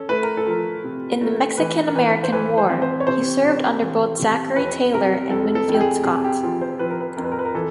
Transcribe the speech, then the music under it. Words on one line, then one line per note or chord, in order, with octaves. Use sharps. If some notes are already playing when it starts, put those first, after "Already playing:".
In the Mexican-American War, he served under both Zachary Taylor and Winfield Scott.
Already playing: C#4 A4
A3 B4
A#4
A4
F3 A#4
C3
A3
E3 B4
A#4
E3 B4
C5
E3 B4
C5
C4
C5
C#5
C3 C5
C3
E3
C3
F2 B4
C3 A#4
F2 A4
A4
F2
G4
G#4
C3 G#4
G4
F3 G#4
C5
F3 B4
A#4
B4
F2 A#4
B4
A#4
B4
A#4
E3 A4